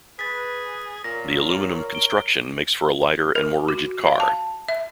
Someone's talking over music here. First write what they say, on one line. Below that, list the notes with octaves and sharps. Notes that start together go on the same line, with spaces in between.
The aluminium construction makes for a lighter and more rigid car.
G#4 B4 A6 B6
A#2 A#4 C#5 A#6
D7 G7
A#4
F#4
F5
A5
E5